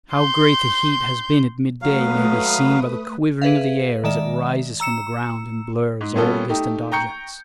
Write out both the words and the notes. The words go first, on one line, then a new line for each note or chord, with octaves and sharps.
How great the heat has been at midday may be seen by the quivering of the air as it rises from the ground and blurs all distant objects.
C6 G6
F#3 A3 B4 F5 D#6
G#4 B4 E5 F5
D#3 G#3 D5 E5 E7
A#5 E6 C#7 E7
G#2
A#2 G3 B3 C#4 A4
A3 D#4 G4
G5 A#5 C#6 G6 C#7